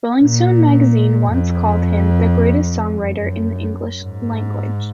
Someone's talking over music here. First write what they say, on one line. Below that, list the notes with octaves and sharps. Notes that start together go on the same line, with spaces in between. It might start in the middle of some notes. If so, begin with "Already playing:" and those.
"Rolling Stone Magazine" once called him "The greatest songwriter in the English language".
A#2
F2
F#2
G#2